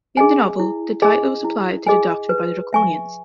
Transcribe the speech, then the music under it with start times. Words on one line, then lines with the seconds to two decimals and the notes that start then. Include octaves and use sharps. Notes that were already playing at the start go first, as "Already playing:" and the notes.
In the novel, the title was applied to the Doctor by the Draconians.
0.17 G#4 D#5 G#5
0.60 E4
1.02 G#4 D#5 G#5
1.44 E4
1.87 G#4 D#5 G#5
2.29 B4
2.73 E5 G#5 C#6